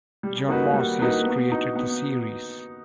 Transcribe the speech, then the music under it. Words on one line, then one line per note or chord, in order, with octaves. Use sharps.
John Masius created the series.
G3
A#3 D#4 F#4 B4
G3
A#3 D#4 F#4 B4
B3
D#4 F#4
B3